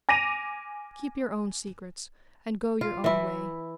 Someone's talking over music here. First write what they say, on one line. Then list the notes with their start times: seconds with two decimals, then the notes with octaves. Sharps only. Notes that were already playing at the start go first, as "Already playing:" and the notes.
Keep your own secrets, and go your own way.
0.09 G#5 D6 A#6 D7 D#7 F7
2.81 F4
3.04 E3 E4